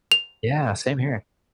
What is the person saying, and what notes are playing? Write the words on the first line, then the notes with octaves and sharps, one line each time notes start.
Yeah, same here.
F7